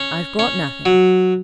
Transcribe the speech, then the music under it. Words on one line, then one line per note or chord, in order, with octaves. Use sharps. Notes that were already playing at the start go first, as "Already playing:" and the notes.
'I've brought nothing.
Already playing: C#4
C#4
F#3